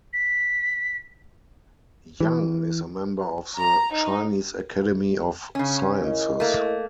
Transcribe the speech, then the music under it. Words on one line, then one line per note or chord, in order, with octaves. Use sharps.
Yang is a member of the Chinese Academy of Sciences.
B6
E3
A#5
D#4
C#3 C#4
E4 A#4 D#5
A3 A#3